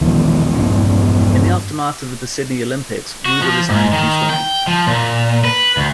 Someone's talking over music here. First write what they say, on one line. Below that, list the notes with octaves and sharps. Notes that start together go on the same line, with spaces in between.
In the aftermath of the Sydney Olympics Wouda resigned from swimming.
E1 A#1 E2 D#3
G2 A#3 C#4
F#4
F3
G#2
D#3
G5
F3
A#2
B4
D2